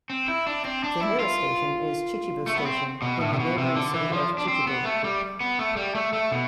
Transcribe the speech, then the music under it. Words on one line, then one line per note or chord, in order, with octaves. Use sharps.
The nearest station is Chichibu Station, in the neighboring city of Chichibu.
C4
E4
D4
C4
D4
E4
F4
A3
B3
C4
B2
A2
C3
B2
C3
D3
E3
F3
D4
C4
B3
A3
G3
B3
A3
G3
A3
A3
B2